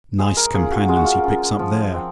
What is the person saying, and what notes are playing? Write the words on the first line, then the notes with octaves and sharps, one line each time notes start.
Nice companions he picks up there!
G#3 G#4
A#4
C#4 F4 G#4
F#4
G#3 F4
F#4
F4
C#4 F4
F3
C4